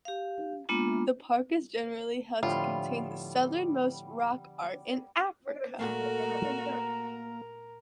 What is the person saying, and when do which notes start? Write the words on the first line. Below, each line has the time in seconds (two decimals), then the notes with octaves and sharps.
The park is generally held to contain the southernmost rock art in Africa.
0.05 G4 F5
0.69 G#3 A#3 B3 D4 F4
2.43 A2 D3 F3 G3 B3 F4
5.79 A#2 A3 A#3 F#4 A#4 F5 A#5